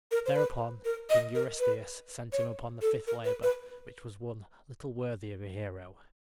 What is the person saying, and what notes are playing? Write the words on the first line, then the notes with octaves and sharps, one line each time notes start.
Thereupon King Eurystheus sent him upon the fifth labor, which was one little worthy of a hero.
A#4
C5
B4
A#4
D#5
A#4
B4
C#5
A4
A#4
B4
B4